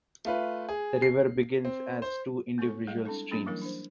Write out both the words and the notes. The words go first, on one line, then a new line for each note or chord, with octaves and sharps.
The river begins as two individual streams.
A3 F4 B4
G#4
C7
C4
C5
G#3 B3 G#4 A4 C#6
G3 G#3 G#4 D#5 F5
C4 D4 E4 A4
F#3 A#3 C#4 D4 F4 G#4
E3 F#3 G3 A#3 E4 A#4
D4 C5